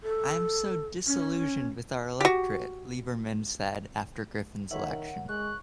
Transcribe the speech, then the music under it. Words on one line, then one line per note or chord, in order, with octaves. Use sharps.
"I am so disillusioned with our electorate," Lieberman said after Griffin's election.
A4
C#4
F#4 G4
D#3 A#4 C#5 E5 F#5
G#3 C#6 F#6